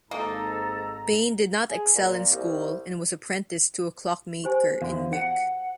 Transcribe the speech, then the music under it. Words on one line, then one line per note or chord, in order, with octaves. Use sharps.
Bain did not excel in school and was apprenticed to a clockmaker in Wick.
G#1 G#2 A#3 D#4 A4 A#5
G#4
A#2
C2
G4 C5 G#5
E2 F#4 F5
F#5